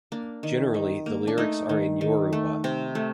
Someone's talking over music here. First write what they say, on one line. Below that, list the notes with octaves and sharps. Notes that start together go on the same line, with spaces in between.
Generally, the lyrics are in Yoruba.
A#3 D4
D#3
D#3
A#3
D4
A3 D#4
D#3
D#3
A3
C3 C4
A3